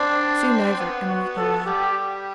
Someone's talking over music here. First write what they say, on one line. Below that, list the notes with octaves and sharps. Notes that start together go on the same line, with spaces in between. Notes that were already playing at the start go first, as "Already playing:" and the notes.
Soon over and we go on.
Already playing: C4 D4
B3
F#4
A4
G3 G4